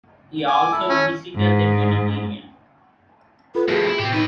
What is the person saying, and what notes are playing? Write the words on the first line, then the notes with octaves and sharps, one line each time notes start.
He also visited the Mediterranean.
G#5 D6
E4 A4
C#4
G#2
F4 A4 B4 B5
F2 A2 F#4 G#4 B4
E4
A2 C4 G4
F#3 D#4 B4